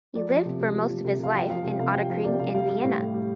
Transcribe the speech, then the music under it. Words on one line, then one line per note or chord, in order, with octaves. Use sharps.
He lived for most of his life in Ottakring in Vienna.
F3 D5
F3
C3
C3
F3
F3
C3
C3 F5
F3 G5
F3 F5
C3
C3 F5
F3 G5
F3 F5
C3 D5
C3 F5
G3 F5
G3
A2
A2
G3